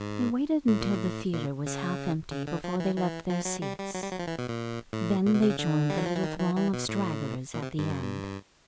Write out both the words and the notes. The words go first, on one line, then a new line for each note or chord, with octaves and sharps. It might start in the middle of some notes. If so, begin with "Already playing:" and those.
They waited until the theatre was half empty before they left their seats. Then they joined the little throng of stragglers at the end.
Already playing: G#2
A2
A#2
A2
A#2
C#3
C#3
D3
F3
E3
E3
F3
F#3
G3
G3
F#3
G3
F#3
F3
E3
B2
A#2
A2
A#2
B2
C3
C#3
D3
G3
F#3
F3
E3
D#3
E3
E3
B2
A2
A#2
C3
G2
F#2
G2